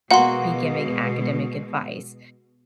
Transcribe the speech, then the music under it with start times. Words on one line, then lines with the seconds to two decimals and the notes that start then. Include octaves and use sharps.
be giving academic advice."
0.11 B2 G#3 A#3 F#4 F#5 C6